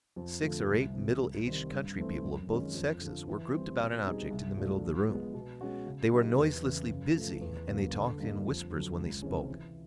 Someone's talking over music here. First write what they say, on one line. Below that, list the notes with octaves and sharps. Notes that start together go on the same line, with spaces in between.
Six or eight middle-aged country people of both sexes were grouped about an object in the middle of the room; they were noiselessly busy and they talked in whispers when they spoke.
F2
D3 F3 A3
C2
C3 E3
C2
C3 D#3 G3 C4
G2
E3 A3 C4
F#2
D#3 G#3 C#4 F4
F2
D3 F3
E3
G3 C4
B2
G3 C4 D#4 G#4
C2
A#2 F#3 A3 D4
F3
G#3 B3
B2
G#3 C#4 F#4
C#3
F#3 A#3 D#4 G4
E2
C#3 E3
C#3
F3 A3
E2
C#3 F#3 A#3
D3
G3 A#3 D#4
F2
D3 F#3
C#2
C3 E3 G#3 C#4
E3